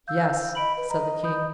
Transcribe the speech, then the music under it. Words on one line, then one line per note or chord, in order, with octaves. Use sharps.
"Yes," said the King.
F5 E6 G6
D#5 B5 D7 F#7
B4
D#5 A#5
B5 D#6 G6